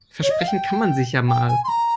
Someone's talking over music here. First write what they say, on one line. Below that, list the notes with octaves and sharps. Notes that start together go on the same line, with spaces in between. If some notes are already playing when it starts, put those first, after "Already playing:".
Versprechen kann man sich ja mal.
C#5
D#5
F5
G5
G5
G#5
C6
A#5